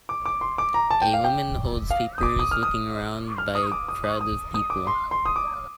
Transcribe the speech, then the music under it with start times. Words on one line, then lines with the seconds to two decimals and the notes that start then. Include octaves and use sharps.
A woman holds papers looking around by a crowd of people.
0.09 D6
0.26 D6
0.41 C6
0.58 D6
0.74 A#5
0.90 A5
1.02 G5
1.14 F5
1.24 G5
1.90 F5
2.18 D#6
2.23 D6
2.39 D#6
2.51 F6
2.63 D#6
3.38 F6
3.55 D#6
3.72 D6
3.88 D#6
4.04 D#6
4.21 D#6
4.54 D#6
4.70 D6
4.87 C6
5.11 C6
5.25 D#6
5.36 D6